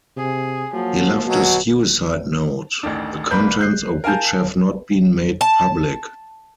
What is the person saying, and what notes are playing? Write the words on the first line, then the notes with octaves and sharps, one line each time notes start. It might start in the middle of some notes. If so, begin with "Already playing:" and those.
He left a suicide note, the contents of which have not been made public.
C3 G#4
F3 F#3 A#3
B2 F#3
A1 D2 D#3 D4
C2 A#3 B4 B5 G6
F#6 G6 C7
A#4 F5 G#5 A5 F6 G6
A5